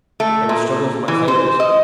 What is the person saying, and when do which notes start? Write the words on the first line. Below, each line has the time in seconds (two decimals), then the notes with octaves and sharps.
They will struggle for my favors.
0.20 A3
0.49 A#2
1.08 E3
1.28 C5
1.60 D#5